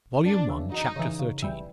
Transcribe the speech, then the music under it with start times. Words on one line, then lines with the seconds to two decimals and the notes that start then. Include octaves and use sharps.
Volume One, Chapter XIII.
0.24 F#2 D4
0.49 C#3 E3
0.71 F#2 D#4
0.96 C#3 E3
1.19 C#3
1.42 E3 G3